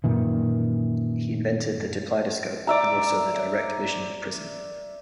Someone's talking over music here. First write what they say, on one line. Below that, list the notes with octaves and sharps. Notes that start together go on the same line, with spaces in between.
He invented the dipleidoscope and also the direct vision prism.
F#2 A#2 D#3 E3
D5 E5 A#5